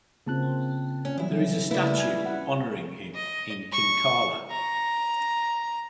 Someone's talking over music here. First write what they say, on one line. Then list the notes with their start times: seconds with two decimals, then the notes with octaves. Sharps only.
There is a statue honoring him in Kinkala.
0.27 C#3 A#3 C4 F4 A5 F#6
1.05 C#4
1.18 E2 E3 F#3 G3 E4
1.71 C#3 G3 A3 A#3 E4 B4
1.98 G#5 G#6
2.26 C#4 F#5
3.15 D#5
3.72 C#6
4.51 A#5